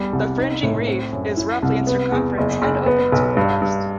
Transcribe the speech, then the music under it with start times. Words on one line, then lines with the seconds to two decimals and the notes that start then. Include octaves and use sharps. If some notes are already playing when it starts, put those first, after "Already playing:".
The fringing reef is roughly in circumference and open to the west.
Already playing: E2 G3
0.13 C2
0.38 D#4
0.63 A2
0.87 C4
1.13 F#2
1.37 E4
1.63 C2
1.87 B3
2.12 E2
2.38 F#1
2.62 F#1
2.86 B3
3.12 B1
3.37 G2
3.62 G2